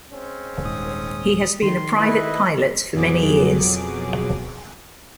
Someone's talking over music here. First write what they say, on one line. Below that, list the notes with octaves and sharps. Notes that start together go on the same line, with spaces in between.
He has been a private pilot for many years.
G#3 C4 C#4
D#1 G#2 D#6
D#3 C6
C2 E4 B4 D#5
F2 B2 F#3 G#4 D6